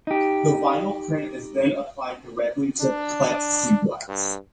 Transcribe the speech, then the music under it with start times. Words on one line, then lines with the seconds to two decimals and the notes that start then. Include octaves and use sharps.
The vinyl print is then applied directly to plexiglass.
0.07 D#4 G4
2.81 D4
4.08 G2